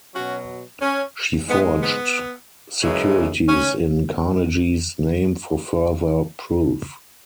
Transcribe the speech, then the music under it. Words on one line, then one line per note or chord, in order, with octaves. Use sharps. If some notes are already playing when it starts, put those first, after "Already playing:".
She forged securities in Carnegie's name for further proof.
B2 F#3 C#4 F#4
C#4
G#2 G#3 B3
B3
F#2 C#3 E3 G#3
C#4